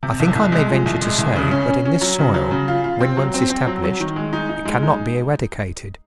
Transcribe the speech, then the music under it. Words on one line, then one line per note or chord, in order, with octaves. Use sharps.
I think I may venture to say that in this soil, when once established, it cannot be eradicated.
C3
C2
C2
G#3
F3
C2
G#3
C2
C#3
C#4
C#4
C#4
F#3
C#3
F#3
C#3
F4
F4
C4
F#3
C4
C4
F#3
F#3
D#3
G#3
D#4
D#4
G#3
D#4